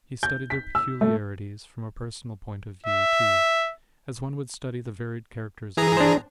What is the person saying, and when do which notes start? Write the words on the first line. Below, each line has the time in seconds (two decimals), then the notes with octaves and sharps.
He studied their peculiarities from a personal point of view, too, as one would study the varied characters of men.
0.23 G6
0.50 B6
0.75 E6
1.01 A3
2.86 E5
5.77 E3 G#4 A#5
5.97 D4 C5